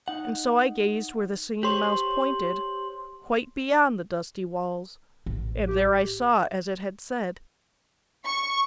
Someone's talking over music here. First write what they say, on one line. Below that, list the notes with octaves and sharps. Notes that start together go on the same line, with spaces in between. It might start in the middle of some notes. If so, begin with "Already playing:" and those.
And so I gazed where the Singing Mouse pointed, quite beyond the dusty walls, and there I saw as it had said.
D#4 F#5
G4 C5 C#5 C6 F#7
A1
G4
C#6